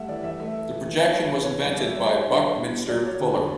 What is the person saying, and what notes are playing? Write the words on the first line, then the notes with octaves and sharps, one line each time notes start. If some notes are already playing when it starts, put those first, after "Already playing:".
The projection was invented by Buckminster Fuller.
Already playing: G3 A3 E5 F#5
E3 D5
E5
A3 E5
E3
B3 C#5
B4
E3
C#5
G3 D5
E5
G3 C#5
C#5
D4
A2
F#3 D5
C#5
D3 B4
B4